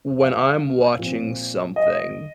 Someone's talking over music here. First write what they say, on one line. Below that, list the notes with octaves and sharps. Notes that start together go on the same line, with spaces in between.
when I'm watching something,
F5
A#2 F3 C4
D#5